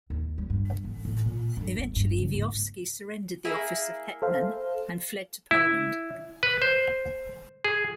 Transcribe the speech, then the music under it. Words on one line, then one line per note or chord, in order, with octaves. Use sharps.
Eventually Vyhovsky surrendered the office of hetman, and fled to Poland.
D#2
G3
G2
A1
A2
A#2
G2
A3
G2
C#3
G#2
A#3 E4 G#4
A4 C5 F5
E4
B4
C5
G#4